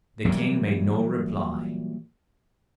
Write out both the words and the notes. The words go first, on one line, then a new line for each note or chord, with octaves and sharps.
The king made no reply.
A#2 E3 F#3 G3